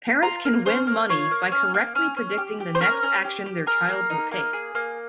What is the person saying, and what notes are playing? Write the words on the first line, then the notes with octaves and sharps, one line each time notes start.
Parents can win money by correctly predicting the next action their child will take.
F4 A#5
A#3
C#4 C5
A#3
F4 C#5
A#3
C#4
A#3
C#4
C#4
G4
G4
C5
C#4 A#4
C#4
G4
G4
G#4 A#4
A#3
D#4
A#3
G#4
A#3